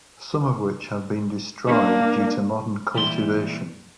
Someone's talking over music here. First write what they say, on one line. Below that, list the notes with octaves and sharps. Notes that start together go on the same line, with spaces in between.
Some of which have been destroyed due to modern cultivation.
A#3 D4
A#2 E3 G3 E4 B4 C6